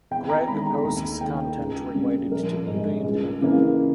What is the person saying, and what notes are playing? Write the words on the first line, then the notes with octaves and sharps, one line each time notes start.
Gregg posts content related to beauty and makeup.
E2 G5
A#5
D#3 G#3 B5
A#5
D#2 A#5
D#3 A#3 G5
C#2
C#3 G3 A#3
A#1 A#4
G#2 G3
C#2
C#3 E3 A#3